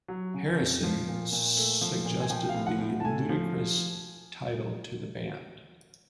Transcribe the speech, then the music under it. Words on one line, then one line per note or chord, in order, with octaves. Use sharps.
Harrison suggested the "ludicrous" title to the band.
F#3
C#3
F2
F3
A#2
A#2
A3
F3
A#2
G#5
F3 G5
F5
A2
F#5
A2
A5
A3 G#5
F3